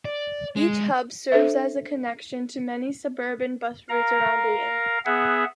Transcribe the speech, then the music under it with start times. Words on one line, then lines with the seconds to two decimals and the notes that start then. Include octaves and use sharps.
Each hub serves as a connection to many suburban bus routes around Dayton.
0.05 D5
0.56 G#3
1.32 D4 A4 C5 E5
3.89 A#4 F5 A#5
5.05 B3 G#4 E5 F#5